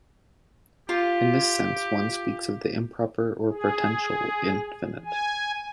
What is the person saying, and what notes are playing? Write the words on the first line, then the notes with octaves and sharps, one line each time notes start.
In this sense one speaks of the improper or potential infinite.
F4 G4
G#4
G#5